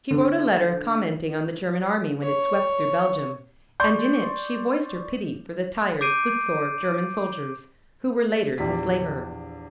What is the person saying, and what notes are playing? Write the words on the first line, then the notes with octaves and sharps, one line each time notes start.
She wrote a letter commenting on the German army when it swept through Belgium--and in it she voiced her pity for the tired, footsore German soldiers,--who were later to slay her.
D3
C#5
D5 C6 C#6 G6
D6 G6 C7 D7 D#7
A#1 E2 G4 B6